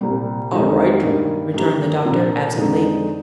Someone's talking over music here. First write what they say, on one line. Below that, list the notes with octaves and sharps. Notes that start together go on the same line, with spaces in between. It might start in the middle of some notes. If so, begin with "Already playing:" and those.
"All right," returned the Doctor, absently.
C2 A#2 G3
F2 D#3 G#3 D#4 G4
G2 D#3 G3 A#3
G2 D#3 A#3 D#4 G4
C2 A#2 F3 A#3 D4
F2 D3 G#3 D#4